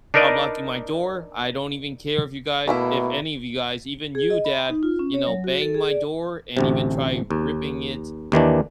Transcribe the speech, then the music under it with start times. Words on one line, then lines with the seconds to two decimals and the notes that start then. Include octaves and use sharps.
I'm locking my door. I don't even care if you guy if any of you guys, even you, dad, you know, bang my door and even try ripping it
0.14 D4 D#4 A#4 B4 D5 D#5
2.68 B2 A3 A#3 E4
4.15 G#4
4.30 D#5
4.45 B5
4.70 D#4
4.83 F4
4.99 C#4
5.14 C#5
5.27 F#3
5.44 F#4
5.62 A4
5.75 G#4
5.90 D5
6.57 A1 D2 C3
7.31 D#2
8.32 D#2 D#3 E3 D4